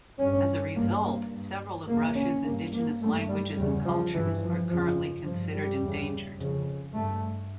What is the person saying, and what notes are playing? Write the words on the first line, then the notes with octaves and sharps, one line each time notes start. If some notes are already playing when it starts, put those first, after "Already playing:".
As a result, several of Russia's indigenous languages and cultures are currently considered endangered.
G2 C#4
G2 A#3
A#3
G2
E2 C#3 A#3
C#4
G2 A#3
A#3
G2 A3
G3
E2 C#3 G3
F3
G2 E3
F3
F2 C#3 F3
G2 F3
G3
E2 C#3
F2 C#3
G2 A3